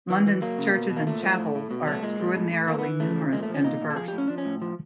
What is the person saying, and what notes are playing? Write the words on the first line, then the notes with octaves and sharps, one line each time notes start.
London's churches and chapels are extraordinarily numerous and diverse.
E3
E3
F#3 A#3
C#3
B2
B2
A#3
A#2 A3
F3
A2
A2
B2
F#3 A3
A#2 G#3
A#2
A2
A2
E3 A#3
B3
E3
C#3 A3
F3
A#2 G#3
A3
F3
C#4
A#2 D#4
A#2
A4
F3 G#4
G4
A2
C#4
F3 D4
C#4
A2
F3